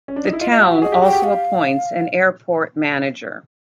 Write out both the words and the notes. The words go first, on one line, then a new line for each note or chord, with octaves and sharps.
The town also appoints an Airport Manager.
C#4
D4
D#4
E4
F4 D#5
D#5
F#4 F5
E5
G#4 D#5
G4
F#4 G5
G4
F5